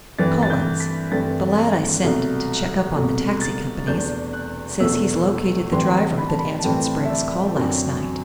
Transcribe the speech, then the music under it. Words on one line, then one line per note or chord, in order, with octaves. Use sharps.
Collins--the lad I sent to check up on the taxi companies--says he's located the driver that answered Sprague's call last night.
G2 E3 A3 C4 A6
A6
G6
B6
G2 E3 A3 C4 A6
C2 B2 F#3 A3
C2 B2 F#3 A3
A6
E2 B2 A3 D4 G6
F#6
E2 B2 A3 D4 E6
A2 E3 G3 C4 C6
B5
A5
B5
A5
A2 E3 G3 C4 G5
E5
D5
F#2 D3 F#3 C4